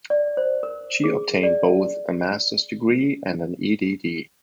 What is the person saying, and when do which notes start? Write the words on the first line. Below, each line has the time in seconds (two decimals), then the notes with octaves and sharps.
She obtained both a master's degree and an Ed.D.
0.10 D5
0.37 C5
0.63 A#4
1.04 G#4
1.43 D5